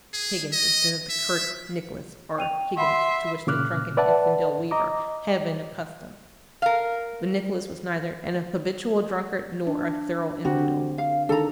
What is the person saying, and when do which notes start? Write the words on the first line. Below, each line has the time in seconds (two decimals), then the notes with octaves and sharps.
Higgins,' instead of the curt 'Nicholas' or 'Higgins,' to which the 'drunken infidel weaver' had been accustomed. But Nicholas was neither an habitual drunkard nor a thorough infidel.
0.14 G#4
0.53 D#5
1.10 E5
2.38 G5 D#7 F7
2.77 E5 F#5 B5 C6
3.47 A#2 C#3 D6 F6 F#6
3.97 B4 D5 E5 F#5 A5
4.71 D#5 A#5 D6
6.62 A#4 F5
9.67 D4
10.45 D3 C4 F#4 G4
10.98 F5
11.29 D#3 D4 A4 A#5